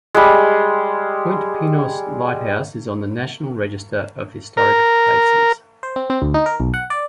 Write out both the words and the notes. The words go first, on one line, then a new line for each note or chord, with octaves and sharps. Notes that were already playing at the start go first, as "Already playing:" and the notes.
Point Pinos Lighthouse is on the National Register of Historic Places.
G3 G#3
A#4
C5
C4
C4
D2
D#4
A#4
B1
F#5
D5